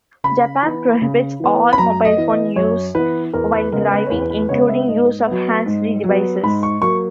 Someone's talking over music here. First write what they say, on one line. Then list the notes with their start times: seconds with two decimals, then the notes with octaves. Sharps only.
Japan prohibits all mobile phone use while driving, including use of hands-free devices.
0.24 C#3 B5
0.63 E3 B3
1.02 C#3
1.40 E3 B3
1.73 B5
1.78 F#2 A#5
2.05 D#5
2.17 E3 B3
2.30 D#5
2.56 F#2 C#5
2.95 E3 B3 B4
3.33 E2 A#4
3.52 B4
3.72 C#3 G#3 B3 A#4
3.92 B4
4.06 C#5
4.10 E2 B4
4.30 B4
4.49 C#3 G#3 B3 C#5
4.68 E5
4.88 G#2 D#5
5.27 F#3 B3
5.66 G#2
6.04 F#3
6.09 B3
6.43 G#2 B5
6.63 C#6
6.82 F#3 A#3 C#6